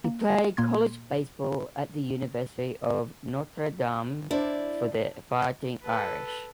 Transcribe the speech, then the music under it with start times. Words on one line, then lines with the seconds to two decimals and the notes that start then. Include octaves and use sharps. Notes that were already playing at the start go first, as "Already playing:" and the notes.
He played college baseball at the University of Notre Dame for the Fighting Irish.
0.04 A#3
0.57 A#2 A#3 C6 G#6
4.31 D4 E4 C5 D5
5.84 A4 B4